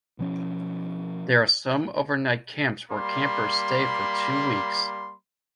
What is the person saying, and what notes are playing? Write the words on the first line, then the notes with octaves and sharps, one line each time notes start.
There are some overnight camps where campers stay for two weeks.
B2 F3 C#4
G3 A#3 B5 C6